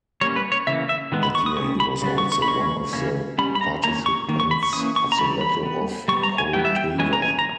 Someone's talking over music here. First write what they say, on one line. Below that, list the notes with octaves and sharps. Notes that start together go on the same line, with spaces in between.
That year, he was also one of the participants of the Battle of Poltava.
G3 A#3 C#4 C#5
B4
C#5
C#3 E3 A#3 E5
E5
D#3 G#3 B3
B5
C#6
D#6
G3 C#4 C#6
B5
C#3 G3 B3
C#6
C#6
B5
C#3 G#3 C#4 C#6
C#3 E3 A#3 C#4
G3 C#4 B5
B5
A#5
D#3 A#3 C#4 A#5
C#6
D#3 A#3
C#6
B5
C#6
E3 A#3 C#4 D#6
C#6
A#5
C#3 E3 G3 B5
B5
G3 B3
G3 B3 C#6
A#5
G#5
E3 G3 B3 G5
E5
G5
E3 G#3 C#4 G#5
A#5
G#5
A#5